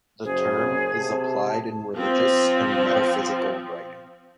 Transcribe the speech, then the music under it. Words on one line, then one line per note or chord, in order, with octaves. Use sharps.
The term is applied in religious and metaphysical writing.
F#1 G#4 C5
C3 A5
F3 C4